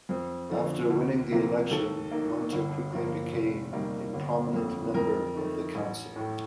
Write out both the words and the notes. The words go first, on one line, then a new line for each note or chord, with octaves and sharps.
After winning the election, Munter quickly became a prominent member of the council.
F2 C5
D3 F3 A3
D2
C3 F3 A#3
D#2 A4
D#3 A#3
G1
G2 F3 A#3
F1
D#2 D#3 G3 A#3
G1
F2 D3 A3
F2 A#4
D#3 A3
A1
A2 A3